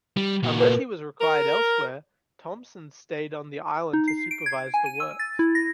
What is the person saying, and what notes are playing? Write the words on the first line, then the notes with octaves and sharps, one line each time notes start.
Unless he was required elsewhere, Thomson stayed on the island to supervise the works.
G3
A#2 F#4
A#4 B4
A#4
D#4
C7
D7
G#6
G#5
D#7
E6
A6
E4
A#6